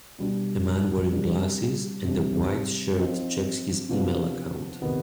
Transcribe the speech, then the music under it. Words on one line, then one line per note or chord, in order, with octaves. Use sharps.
A man wearing glasses and a white shirt checks his email account.
B2 G3 D4
C3 G3 D4
C3 G3 D4
F3 C4 D#4
C3 F3 B3 D4
C3 D#3 B3